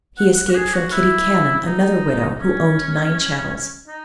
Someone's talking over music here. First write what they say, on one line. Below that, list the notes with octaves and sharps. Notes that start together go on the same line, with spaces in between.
He escaped from Kitty Cannon, another widow, who owned nine chattels.
F#5
F#5
F#4
G#4
F#4
E4
D#4
C#4
D#4